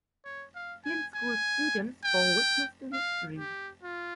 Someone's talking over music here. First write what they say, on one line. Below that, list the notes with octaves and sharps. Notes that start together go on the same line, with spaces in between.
Flint School students bore witness to history.
C#5
F5
G#5
G#5
G5
F5
G4
F4